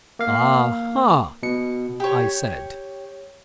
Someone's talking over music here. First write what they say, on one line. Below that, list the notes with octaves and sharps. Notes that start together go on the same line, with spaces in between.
"A-ha!" I said.
A#3 F5
B2 C#7
G4 C#5